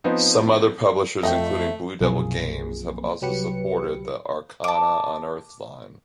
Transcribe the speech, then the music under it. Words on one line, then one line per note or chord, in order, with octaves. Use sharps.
Some other publishers, including Blue Devil Games, have also supported the "Arcana Unearthed" line.
F3 B3 C4 D#4
F2 A3 D#5 E5 F#5 G5
B1 F#2 C3 F3 A#3 G#4
C2 F#3 G4 B4 C#7
A5 D6